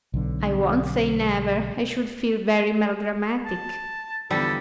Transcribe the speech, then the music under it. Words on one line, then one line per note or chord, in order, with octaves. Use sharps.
"I won't say 'never'; I should feel very melodramatic."
B1 D3
A5
E2 D3 F3 G3 A4